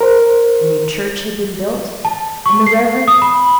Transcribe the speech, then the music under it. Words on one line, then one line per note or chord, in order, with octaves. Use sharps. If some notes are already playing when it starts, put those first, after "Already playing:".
A new church had been built, and the Rev.
A#4 C5
A5
C#6
C7
D#6
B5